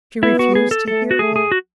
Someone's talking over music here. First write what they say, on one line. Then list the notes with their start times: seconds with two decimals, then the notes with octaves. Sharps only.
She refused to hear him.
0.23 B3 E4
0.39 F#4
0.55 G#4
0.71 A4
0.88 A3 A4
1.11 F#4
1.19 A3 G#4
1.36 G#4
1.52 F#4